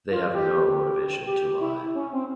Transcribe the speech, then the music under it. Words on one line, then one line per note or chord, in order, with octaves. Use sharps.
They have no motivation to lie.
F4
G4
G4
E4
C#4
C4